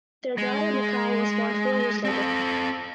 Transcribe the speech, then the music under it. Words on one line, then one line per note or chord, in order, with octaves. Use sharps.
Their daughter Michal was born four years later.
G#3
C4 A4